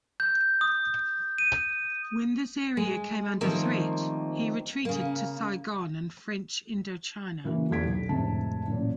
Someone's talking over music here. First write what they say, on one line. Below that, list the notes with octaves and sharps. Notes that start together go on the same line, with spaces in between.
When this area came under threat, he retreated to Saigon in French Indochina.
G6
D#6
D#7
G#3
D#3 F3 G3 A3 A#3 C4
C#3 A#3
C#3 E3 A#3 F#4
E2 G4 A4 G#6 B6 D7
B1
F1 D2 A2 C3 G#3 A5
A1 F#2 A#2